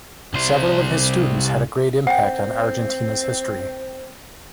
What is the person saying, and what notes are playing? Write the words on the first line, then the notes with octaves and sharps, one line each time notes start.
Several of his students had a great impact on Argentina's history.
C2 C5
C4 F#5 G5